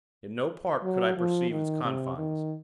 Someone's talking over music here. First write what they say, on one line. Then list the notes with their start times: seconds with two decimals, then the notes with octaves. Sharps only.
In no part could I perceive its confines.
0.83 F#3
1.17 F3
1.50 D#3
1.84 C3
2.18 D#3